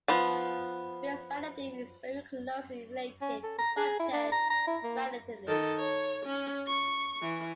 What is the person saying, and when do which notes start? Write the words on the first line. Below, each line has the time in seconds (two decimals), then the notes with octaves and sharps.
Face validity is very closely related to content validity.
0.08 F3 B3 A5
3.22 C#4
3.44 A4
3.59 A#5
3.77 G#4
4.00 E4
4.13 D4
4.32 A#5
4.50 A#5
4.67 E4
4.84 A#3
5.47 D#3 A4
5.77 C#5
6.25 C#4
6.67 C#6
7.22 E3